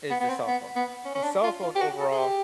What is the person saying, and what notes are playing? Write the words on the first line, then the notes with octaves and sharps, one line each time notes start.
is the cell phone. The cell phone overall
B3
B3
C4
B3
B3
C#4
C#4
D4
F4
F4
G4
F#4
A4
G#4
G4